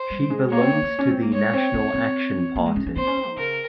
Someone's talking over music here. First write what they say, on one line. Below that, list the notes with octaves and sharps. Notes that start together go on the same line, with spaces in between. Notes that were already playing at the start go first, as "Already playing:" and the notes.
She belongs to the National Action Party.
Already playing: C5
G3
G#3
A#3 C#5
C4
A#3
A#3
C#4
C4
A#3
G#3 C#5
C4
C4
C4
A#3
G#3
C#4
C#4
C4 C5
C#4
C4
D#3
C#3 A#4